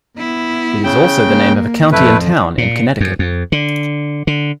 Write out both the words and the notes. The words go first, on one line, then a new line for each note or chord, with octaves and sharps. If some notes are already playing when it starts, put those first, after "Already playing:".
It is also the name of a county and town in Connecticut.
B3 E4
C#3 G5
A#3
F2 A2 A3 E4 B4
A#2
F#2
F2
D3
D3